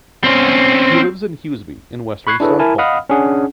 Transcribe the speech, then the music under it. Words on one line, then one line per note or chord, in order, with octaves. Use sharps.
He lives in Husby in western Stockholm.
C4 C#4
B5 C#6 F#6 G#6 C7
D4 E4 G#4 A4 B4 C#5
E4 A#4 G#5 A5
D#5 F5 F#5 B5 D#6 F6
C#4 D4 G#4 F#5